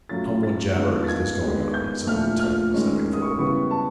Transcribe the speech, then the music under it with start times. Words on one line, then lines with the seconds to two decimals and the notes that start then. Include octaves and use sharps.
'Come, what jabber is this going on?' said the lieutenant, stepping forward.
0.09 F#3 A3 C#4 F4 A6
0.43 A6
0.76 D#3 G#3 B3 D4 F4
1.04 A6
1.08 G#6
1.42 D#3 G#3 B3
1.74 G6
2.07 A#2 F3 A3 D4 F6
2.39 F6
2.73 D#3 G#3 C#4
3.13 D#6
3.22 C#6
3.39 C#3 E3 G3 B3 C#6
3.71 A5